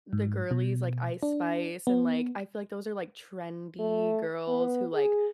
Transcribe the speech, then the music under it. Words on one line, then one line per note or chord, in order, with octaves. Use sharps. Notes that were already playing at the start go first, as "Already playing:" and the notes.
the girlies like Ice Spice and, like, I feel like those are, like, trendy girls who, like,
G#2
B2
D4
B3
A3
B3
G#4